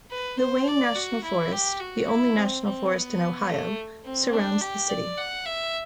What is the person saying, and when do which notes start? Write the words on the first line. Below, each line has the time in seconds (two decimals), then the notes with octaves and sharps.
The Wayne National Forest, the only national forest in Ohio, surrounds the city.
0.11 B4
0.39 C5
0.68 D5
0.95 F#4
1.24 E4
1.52 G4
1.80 F#4
2.08 E4
2.36 C4
2.64 C4
2.93 B3
3.49 A3
4.05 C4
4.33 D4
4.61 G4
4.89 D5
5.18 F#5
5.45 E5